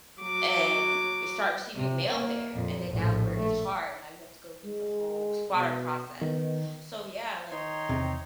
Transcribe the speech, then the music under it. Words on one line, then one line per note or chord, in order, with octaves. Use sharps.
and start receiving mail there, and then now we're it's hard. Now you have to go through the whole squatter process. So, yeah, like,
F#3 D6
C3
A#3
F2 A#2
A#1 A2
A3
G#3
B2
D#3 B3
D#3 D#4 C#5 G5 A#5 C6
E2 C3